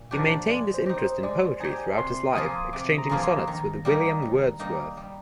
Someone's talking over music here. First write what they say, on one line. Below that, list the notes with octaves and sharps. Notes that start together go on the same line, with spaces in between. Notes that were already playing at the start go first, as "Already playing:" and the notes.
He maintained his interest in poetry throughout his life, exchanging sonnets with William Wordsworth.
Already playing: A#2
F3 A#3 D4 G4
G#3 D5
C5
D#4 G4
C5
G#3 D5
D#4 G4 G#5
C3 C6
F3 A#3 F4 G#4 D#6
C3 D6
A#5
F3 A#3 F4 G#4
C6
D#3 A#5
G3 A#3 D#4
D#3
G3 A#3 D#4
G3